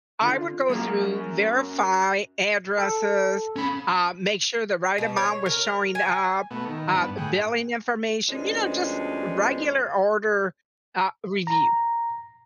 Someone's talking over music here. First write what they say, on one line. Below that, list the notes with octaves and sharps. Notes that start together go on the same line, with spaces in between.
I would go through, verify addresses, uh, make sure the right amount was showing up, uh, billing information you know, just regular order, uh, review.
D3 F4
F#2 A#3 G#4 F5
A4
C#4 B5
B2
C#5
A#4
G#5
B2 A3 B3
D#3
G2 B3
A2 G#4 F#5 G5
D2 F3 G#3 B3 C#4 D4
A#5